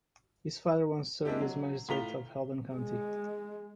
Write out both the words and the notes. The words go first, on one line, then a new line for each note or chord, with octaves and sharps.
His father once served as magistrate of Hedong County.
G#3 A#3 C4 D4 E4 G4
F#3
A2 F4 A#5 B6 F7 G7
G#3